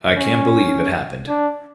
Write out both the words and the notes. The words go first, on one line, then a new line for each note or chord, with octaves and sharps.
I can’t believe it happened.
C#4
D4